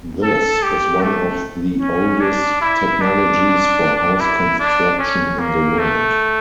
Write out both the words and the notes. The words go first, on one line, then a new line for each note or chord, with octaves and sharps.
This is one of the oldest technologies for house construction in the world.
A4
G4
A3
C#4
D4
E4
D4
E4
D4
C#4
A#3
A3